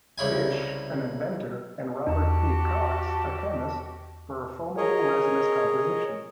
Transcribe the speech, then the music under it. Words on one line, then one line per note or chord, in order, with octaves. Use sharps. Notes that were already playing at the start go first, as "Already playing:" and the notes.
Fish, an inventor, and Robert P. Cox, a chemist, for a foamable resinous composition.
C2 C#3 E4 G#5
E2 F#4 G4 A5
G#4 A#4 C#5 D#5